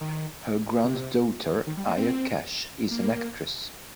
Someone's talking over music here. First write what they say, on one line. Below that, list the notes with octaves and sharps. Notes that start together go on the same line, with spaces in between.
Her granddaughter Aya Cash is an actress.
D#3
C3
D#3
G3
A#3
C4
A#3